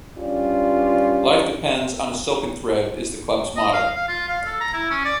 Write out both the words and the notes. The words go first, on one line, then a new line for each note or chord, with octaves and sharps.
"Life depends on a silken thread" is the club's motto.
G2 C#4 F4 G4 D5
D#5
F5
F5
F4
F5
A4
A#5
E4
C#4
D5